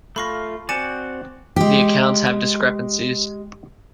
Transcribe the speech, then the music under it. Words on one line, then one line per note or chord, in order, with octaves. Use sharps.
The accounts have discrepancies.
A3 F4 B5 C#6 A#6
C4 F#4 D5 G#5 C#7 E7
G#3 G4